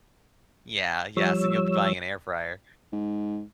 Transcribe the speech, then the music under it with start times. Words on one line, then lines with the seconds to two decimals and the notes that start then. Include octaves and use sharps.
Yeah, yes, and you'll be buying an air fryer.
1.17 F3 G3 C#5 E6
2.93 G#2